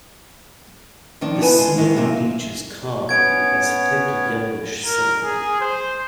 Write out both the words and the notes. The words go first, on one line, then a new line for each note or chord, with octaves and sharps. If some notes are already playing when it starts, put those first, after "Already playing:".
The sea at the beach is calm and has thick, yellowish sand.
D#3 F3 D4 D#4
B3 E4 B4 G#5 A5
G#3 F4
G#2 D#3 G#3 E4 A#4
C3 F#3 A#3 C4 D#4
B3 C#4 C#5 G#6 D7
A#4
G#4
C5